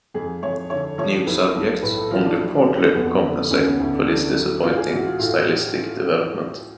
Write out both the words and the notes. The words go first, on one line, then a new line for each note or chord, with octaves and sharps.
New subjects only partly compensate for this disappointing stylistic development.
F2 G#4
F2 C#5
D3 C#5
F3 C#5
B1 B4
B1
A2 B4
A4
F3 F4
D4
F#3
F1
F2 B3
D3
D2 C#4
B3
D2
D4
D3 D4
F#3
A1 F4
G#4
A1 F#4
F4
A2 F4